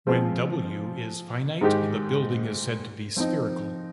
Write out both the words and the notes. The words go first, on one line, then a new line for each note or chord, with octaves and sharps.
When "W" is finite, the building is said to be spherical.
F3 G#3 C4 F4
G#2 D#3 G#3 D#4 G4
F3 C4 D#4